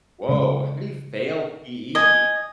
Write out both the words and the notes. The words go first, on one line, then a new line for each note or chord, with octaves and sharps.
Woah! How do you fail PE?
C#3 G#3
D#5 G#5